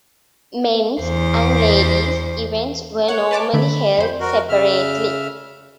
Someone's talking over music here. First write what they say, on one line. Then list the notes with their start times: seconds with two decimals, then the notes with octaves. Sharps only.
Men's and Ladies events were normally held separately.
1.01 E2 C5
3.08 C#5 F#5
3.31 B4 A5 D6
3.53 D3 A3 B5
3.98 F2 C5
4.20 F#4 A#4
4.49 C#3 E5 F6